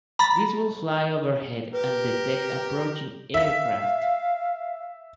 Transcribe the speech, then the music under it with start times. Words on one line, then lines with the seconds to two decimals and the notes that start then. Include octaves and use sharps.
These would fly overhead and detect approaching aircraft.
0.19 A#5 B5 A6
1.73 G4 A#4 B4
3.34 E5 F5 B6